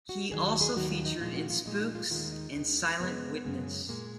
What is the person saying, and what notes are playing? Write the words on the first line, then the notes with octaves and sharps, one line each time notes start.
He also featured in "Spooks" and "Silent Witness".
F#4
D#2 D#3 F#3 G#4
F#4
G#4
D#2 D#3 F#3 F#4
F4
D#4
A#2 F3 G#3 F4
F#4
F4
A#2 F3 G#3 D#4
F4
D#4
F4
D#2 D#3 G#3 F4
D#4
D#2 D#3 G#3
F#2 C#3 G#3 B3
F#2 C#3 G#3
A#2 G#3 A#3